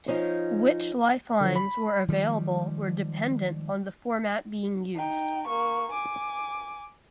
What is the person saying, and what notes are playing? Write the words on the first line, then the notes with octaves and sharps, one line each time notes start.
Which lifelines were available were dependent on the format being used.
F3 C#4 D#4
D3 F3
B5
D#3 F3 G3 G#3
D#4 G5
A#3 C#6
G#5 D6